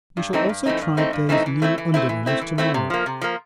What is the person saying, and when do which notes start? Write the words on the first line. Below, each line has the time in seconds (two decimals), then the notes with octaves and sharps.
We shall also try Day's new under-runners to-morrow.
0.17 G2
0.33 E3 A3 C4 D#4
0.49 G2
0.66 E3 A3 C4 D#4
0.81 G2
0.97 E3 A3 C4 D#4
1.13 G2
1.29 E3 A3 C4 D#4
1.46 E3
1.62 A3 C4 E4
1.78 E3
1.94 A3 C4 E4
2.09 E3
2.26 A3 C4 E4
2.41 E3
2.58 A3 C4 E4
2.74 C3
2.90 F3 A#3
3.06 C3
3.22 F3 A#3